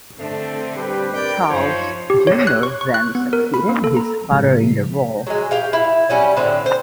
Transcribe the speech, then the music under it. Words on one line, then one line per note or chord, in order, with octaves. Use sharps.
Charles Junior then succeeded his father in the role.
D3 A3 C4
G3 G4 B4
A#4 D5 G5
F#2 F3 D#4 C5 C#5 B5
G4
C#5
F#6
C#6
C#6
F#6
B3
A#4
B5
A#3
A4
A#5
A2 C#3 F3 G#3
F#3 G#3
G4 F5 G5
E4
F#3 G3 C#4
A2 D3 C4
C5